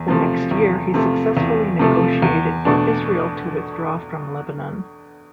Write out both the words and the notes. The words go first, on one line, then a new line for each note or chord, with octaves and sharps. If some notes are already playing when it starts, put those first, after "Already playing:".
The next year he successfully negotiated for Israel to withdraw from Lebanon.
Already playing: E2
C3 F3 A3
E2
C3 F3 A3
E2
C3 F3 A3
E2
B2 A3 D4